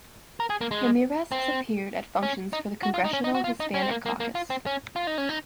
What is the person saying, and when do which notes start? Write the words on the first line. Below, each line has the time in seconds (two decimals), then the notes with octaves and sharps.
Ramirez has appeared at functions for the Congressional Hispanic Caucus.
0.40 A#4
0.50 G#4
0.61 A#3
0.71 G#3
1.32 C4
2.23 C#4
2.53 D#4
2.83 F#4
2.94 F4
3.04 D#4
3.13 C#4
3.24 D#4
3.35 F#4
3.44 F4
3.60 D#4
3.74 C#4
3.82 C4
3.90 A#3
4.06 A#3
4.20 A#3
4.35 F4
4.50 C4
4.66 C#4
4.96 F4
5.07 D#4
5.18 C#4
5.29 D#4